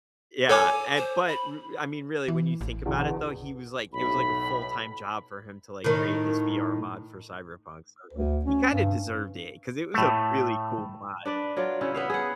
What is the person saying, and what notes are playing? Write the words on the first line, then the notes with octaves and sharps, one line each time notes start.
Yeah, and, but r I mean, really, when you think about it though, he was, like it was, like, a full-time job for him to, like, create this VR mod for Cyberpunk, so he kinda deserved it, 'cause it was a really cool mod.
A4 C#5 G#5 D6
C5
B5
E3
A1
E2 B2 D3
B1 A2 B5
A2 D#3
D2
C#4
G2
A2 A3
D4 B4 D5
F#3 F4 D5
C#3 C#4 E4
B3 E5 F5
G#4 F#5